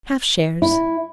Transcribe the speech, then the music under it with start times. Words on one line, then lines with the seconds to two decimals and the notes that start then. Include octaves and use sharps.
"Half shares."
0.62 E4